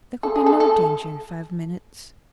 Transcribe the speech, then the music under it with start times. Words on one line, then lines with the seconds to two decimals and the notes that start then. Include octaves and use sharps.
There could be no danger in five minutes.
0.23 A4
0.36 G#4
0.46 A4
0.60 A4